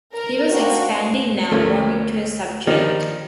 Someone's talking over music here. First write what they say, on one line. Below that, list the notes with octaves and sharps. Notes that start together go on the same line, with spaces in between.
He was expanding now, warming to his subject.
A#4
A#3 C4 D4 F#4
D2 F3 A3 A#3 C#4
D#3 F3 G3 D4 D#4